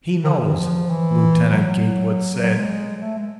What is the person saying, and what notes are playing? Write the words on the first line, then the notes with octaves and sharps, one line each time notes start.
"He knows," Lieutenant Gatewood said.
D#3
D3
D3
D#3
E3
F3
E3
F#3
F#3
F#3
G#3
G#3
A3
G#3